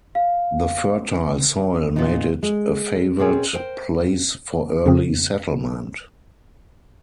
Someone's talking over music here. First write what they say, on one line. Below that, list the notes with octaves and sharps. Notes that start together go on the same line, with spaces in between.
The fertile soil made it a favored place for early settlement.
F5
A#2 F3 B3 D#4
G#3
B2 C4 C#4 G#4
A#4 C5 G5
F2 C#3 C4